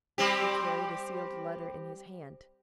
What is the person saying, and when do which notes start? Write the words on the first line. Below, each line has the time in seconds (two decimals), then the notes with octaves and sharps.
He carried a sealed letter in his hand.
0.18 G3 C4 G4